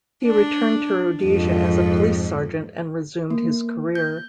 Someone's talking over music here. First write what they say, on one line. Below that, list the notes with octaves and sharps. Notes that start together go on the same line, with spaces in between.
He returned to Rhodesia as a police sergeant, and resumed his career.
D4
F2 G#2
A#3
G6